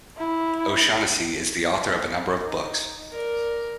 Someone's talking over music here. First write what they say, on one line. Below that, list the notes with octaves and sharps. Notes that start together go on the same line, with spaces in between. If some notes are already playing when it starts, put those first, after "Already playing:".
O'Shaughnessy is the author of a number of books.
E4
D#4
A#4 D5